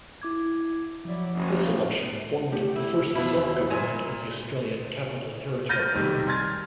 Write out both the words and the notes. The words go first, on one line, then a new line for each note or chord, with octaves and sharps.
This election formed the first self-government of the Australian Capital Territory.
E4 D6 G#6
F3 F#3 E4 D5
F#1
A2 G4
E4
B2 F3 E4 B4
D#2 B2
A#2 G#5
F6 G6 A6 A#6 D#7
B1 C3 D#3 G3
C6 F6 G#6 A6